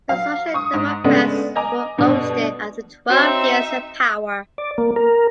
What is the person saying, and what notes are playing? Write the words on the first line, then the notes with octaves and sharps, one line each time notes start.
The Social Democrats were ousted after twelve years in power.
F#3 F5
C#6 D#6
G#2
C#3 G#3 A3 B3 C#4 D4
D#5 G#5 A#5 D6
G2 B2 D3 D4
C4 D#4 F#4 C#5 E5
D5
A#3
A#4